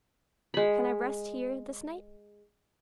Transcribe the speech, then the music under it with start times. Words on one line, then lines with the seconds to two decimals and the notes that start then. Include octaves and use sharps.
'Can I rest here this night?
0.54 G#3 B5